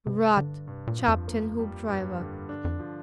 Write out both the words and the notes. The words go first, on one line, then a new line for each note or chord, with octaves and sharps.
"Rot!" chopped in Hoopdriver.
G2 C3
D3 D4
G2 C3
A#2
F3
F2
A#3
G3
G2
D3
G2 D4
F2
F3